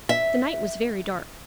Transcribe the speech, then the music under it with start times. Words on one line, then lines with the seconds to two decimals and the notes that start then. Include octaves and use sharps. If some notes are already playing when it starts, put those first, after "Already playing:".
The night was very dark.
0.09 E5